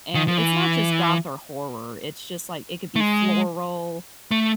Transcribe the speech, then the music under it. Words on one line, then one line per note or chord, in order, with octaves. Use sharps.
And it's not just goth or horror, it's just, like it could be floral,
D#3
F3
E3
A3
G#3
A3